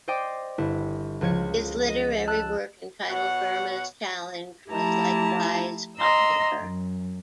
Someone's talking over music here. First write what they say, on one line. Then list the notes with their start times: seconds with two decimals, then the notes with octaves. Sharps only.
His literary work entitled "Burma's Challenge" was likewise popular.
0.08 C5 D5 D#5 G5 D6
0.58 G1 E4
1.21 C#2 F3 C#5 G#6 C#7
1.88 D#5
2.27 A5 E6 F#6
3.09 B2 C#5 F#5
4.71 F3 A3 E4 G4 A5 A#5
5.98 D#5 A#5 C6 E6
6.60 F#2